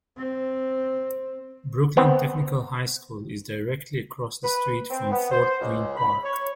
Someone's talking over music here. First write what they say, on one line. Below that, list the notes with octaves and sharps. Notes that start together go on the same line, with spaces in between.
Brooklyn Technical High School is directly across the street from Fort Greene Park.
C4
B3 C4
B4
C4
B3
C5
C#2
B5
C#5